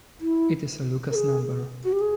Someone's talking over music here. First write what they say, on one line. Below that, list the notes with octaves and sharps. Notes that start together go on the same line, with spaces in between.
It is a Lucas number.
E4
A#4
G#4
F#4
G4
G#4